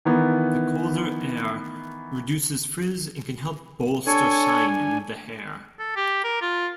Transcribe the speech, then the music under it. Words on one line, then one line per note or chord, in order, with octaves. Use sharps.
The colder air reduces frizz and can help to bolster shine in the hair.
D#3 E3 B3
D4 A4 C#5 G#5
A4
G4
A#4
F4